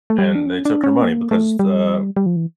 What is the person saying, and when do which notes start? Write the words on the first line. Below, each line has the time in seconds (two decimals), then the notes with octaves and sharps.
And they took her money because, uh,
0.10 A3
0.18 G3
0.35 D4
0.46 C#4
0.65 D4
0.84 C#4
1.03 A#3
1.31 A3
1.59 G3
2.17 G3
2.26 F3
2.36 E3